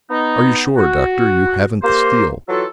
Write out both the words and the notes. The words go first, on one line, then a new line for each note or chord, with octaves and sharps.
"Are you sure, Doctor, you haven't the steel?"
B3 D#4
F#4
A#3 G4 C5
E3 F#3 F4 A4